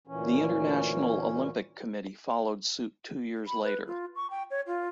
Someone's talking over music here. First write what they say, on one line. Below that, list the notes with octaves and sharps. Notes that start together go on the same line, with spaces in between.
The International Olympic Committee followed suit two years later.
D2 A#2 E3 C#4
B5
B4
F4
C#6
G5
C#5
F4